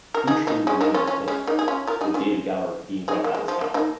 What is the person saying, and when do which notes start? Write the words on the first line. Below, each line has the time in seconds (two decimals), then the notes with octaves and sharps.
Gooch didn't remain in his post, with David Gower being brought back as captain.
0.14 A#4
0.27 D#4 G#4
0.47 A#3 D#4
0.67 G#3 C#4
0.81 A#3 D#4
0.94 C#4 F4
1.07 C#4 F4
1.28 G#3 C#4
1.47 A#3 D#4
1.59 G#4
1.68 C#4 F4
1.87 F4 A#4
2.01 D#4 G#4
2.14 C#4 F4
3.08 D#4 G#4
3.24 A#3
3.35 G#3
3.48 F3
3.61 A#3
3.74 A#3 D#4